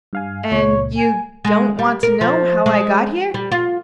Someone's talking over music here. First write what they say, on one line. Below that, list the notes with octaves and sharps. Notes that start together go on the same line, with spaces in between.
"And you don't want to know how I got here?"
G2 F5 G#5
C#2 A#2 C#5
G#5
G#3
G3
A#4
F3
G#3
G3
F4